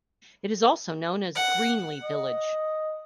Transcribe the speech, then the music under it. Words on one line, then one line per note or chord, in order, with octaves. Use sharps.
It is also known as "Greenly Village".
F#5
D#5